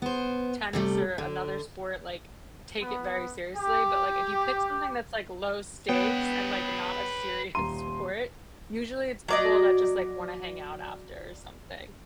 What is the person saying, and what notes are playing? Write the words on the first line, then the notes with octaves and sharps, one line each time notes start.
tennis or another sport, like, take it very seriously, but like, if you pick something that's, like, low stakes and, like, not a serious sport, usually it's people that just, like, wanna hang out after or something.
B3 C5
C3 G3 A3
D3
B3
G4
B3 B4 C#5 G5
D#1 A#5 C6 D#7
F#3 D5 D#5